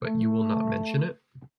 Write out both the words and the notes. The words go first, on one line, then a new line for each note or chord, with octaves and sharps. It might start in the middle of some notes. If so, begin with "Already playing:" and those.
But you will not mention it?
A3